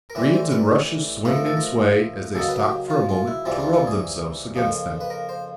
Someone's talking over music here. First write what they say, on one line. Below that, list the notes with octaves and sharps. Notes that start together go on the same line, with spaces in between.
Reeds and rushes swing and sway as they stop for a moment to rub themselves against them.
A#4
A2 E3 G3 C4 B4
C5
B4
G#2 F3 A3 B4
A#4
A4
A#4
C#3 F#3 A#3 D#4 A4
B4
G4
F4
F4
E4
C#2 C3 E3 G3 C4 F4
F4
F4
G#4
F2 C#3 F3 A#3
B4
A#4
C5